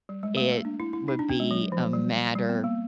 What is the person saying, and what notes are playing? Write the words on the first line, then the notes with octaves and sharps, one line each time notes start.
it would be a matter
G3
G#3
A3
A#3
D4
E4
E4
D#4
D4
C#4
G#3
F#3
F3
G3
G3
B3
A#3